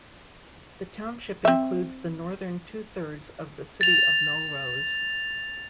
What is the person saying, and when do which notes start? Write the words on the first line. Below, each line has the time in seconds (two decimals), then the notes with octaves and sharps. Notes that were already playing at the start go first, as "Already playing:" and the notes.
The township includes the northern two-thirds of the City of Melrose.
1.45 C4 E5
3.81 A6 F7